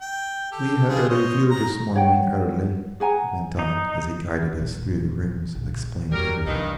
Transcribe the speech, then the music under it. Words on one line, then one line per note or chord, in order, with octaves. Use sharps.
"We had a review this morning early," he went on, as he guided us through the rooms and explained everything.
G5
G4 A4
G3 F4 G#4
C5 C#5 D#5
D#3 A#5
C#5 F#5 G5
G#4 F#5 G#5 A#5
D#4
D#1 A#1
A#1
F2 F#3 G3 A#4
C2 G2 D#3